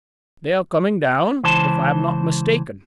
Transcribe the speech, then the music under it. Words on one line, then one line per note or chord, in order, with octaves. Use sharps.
"They are coming down, if I am not mistaken."
C#2 E3 C5 A5